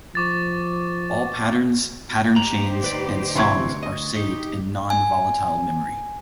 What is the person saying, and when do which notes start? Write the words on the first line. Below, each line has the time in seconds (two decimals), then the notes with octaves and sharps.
All patterns, pattern chains, and songs are saved in non-volatile memory.
0.15 F3 C#6 D6 A6
2.36 D#4 G4 C5 A#5 F#7
2.82 D2 B4 D5
3.36 C3 E3 C4 C6 C#6 G#6
3.83 D#5
4.17 D#4 G4
4.90 G#5